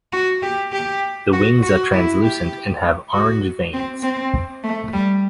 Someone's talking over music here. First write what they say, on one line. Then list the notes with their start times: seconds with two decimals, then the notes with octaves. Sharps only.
The wings are translucent and have orange veins.
0.13 F#4
0.42 G4
0.73 G4
1.33 F#4
1.63 F#4
1.93 E4
2.23 G4
3.13 F#4
3.73 C4
4.03 C4
4.63 A3
4.93 G3